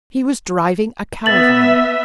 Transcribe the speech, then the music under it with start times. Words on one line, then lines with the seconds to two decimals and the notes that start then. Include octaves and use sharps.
He was driving a caravan.
1.26 B3 E5 A6 F#7